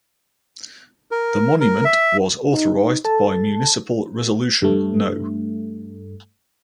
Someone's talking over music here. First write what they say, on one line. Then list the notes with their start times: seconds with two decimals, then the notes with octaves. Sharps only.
The monument was authorized by municipal resolution no.
1.11 A#4
1.60 A#4
1.85 E5
2.53 D#4
3.05 A4 A5
4.62 G2 A3